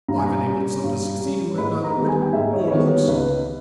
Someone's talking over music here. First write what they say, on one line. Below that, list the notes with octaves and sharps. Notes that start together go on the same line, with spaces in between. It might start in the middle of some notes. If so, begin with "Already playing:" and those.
I've enabled some to succeed who had neither wit nor looks.
G2 A#5
G#5
A#5
G3 C#4
G2
G3 C#4
G#2 B5
A#5
D#3 G3 B3
G#5
G5
G#2 E5
C#5
D#3 G3 B3 C#5
C#2 B4